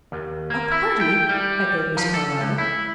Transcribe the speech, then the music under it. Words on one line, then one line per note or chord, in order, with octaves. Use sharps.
"A party!" echoed Miss Carlyle.
D#2
A#3
E4
G5
G3
F3
A4
C#2
E4